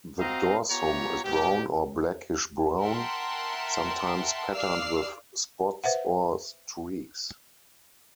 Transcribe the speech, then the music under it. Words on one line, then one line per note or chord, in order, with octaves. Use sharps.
The dorsum is brown or blackish brown; sometimes patterned with spots or streaks.
C4 F#4 C5 D#5 F5 A#5
B3 F4 G4 C#5 A#5
G#2 B2 D#3 G4
A#4 E5 F#5 G5 A5 C6
D5 F5 E6 F6 C7
B4 C5 E5 F#5